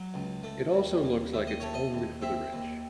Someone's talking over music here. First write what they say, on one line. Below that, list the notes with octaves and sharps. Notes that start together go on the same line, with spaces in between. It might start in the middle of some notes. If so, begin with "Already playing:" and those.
it also looks like it's only for the rich.
Already playing: F#3
C#2
A3
D#2
D#2
D#2 E5
D#5
A3 C#5
D#5
D#2
C4 E5
D#2